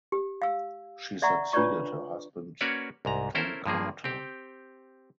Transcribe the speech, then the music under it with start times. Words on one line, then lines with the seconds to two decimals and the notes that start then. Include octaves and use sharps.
She succeeded her husband Tom Carter.
0.12 G4
0.42 F5 E6
1.22 D5 E5 F#5 A#5 C#6
1.53 D4 F4 B4 C#5 D5 C#6
2.61 A#3 C#4 F#4 B4 C#5 D5
3.05 C2 G#2 A#5
3.35 C#4 E4 A4 A#4 C5
3.66 G2 F3 A#3 G#4
4.04 C4 G4